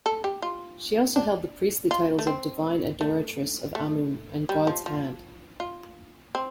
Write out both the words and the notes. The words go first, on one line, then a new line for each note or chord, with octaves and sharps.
She also held the priestly titles of "Divine Adoratrice of Amun" and "God's Hand".
A4
G4
F4
D4
F4
A3
C4
A3
A3
G3
F3
F3
F4
C4